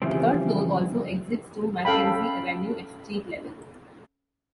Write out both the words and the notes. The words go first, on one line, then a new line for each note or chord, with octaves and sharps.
The third floor also exits to MacKenzie Avenue at street level.
C#3 E3 F3 G3 C4
C#4 A4 F5 G5 B5